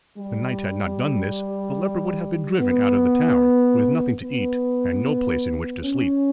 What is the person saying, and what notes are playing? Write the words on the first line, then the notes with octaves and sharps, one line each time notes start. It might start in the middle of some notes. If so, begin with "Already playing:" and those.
If the knight had not done this, the leper would have been driven out of the town, with nothing to eat and no place in which to sleep.
G3
B3
B3
C#4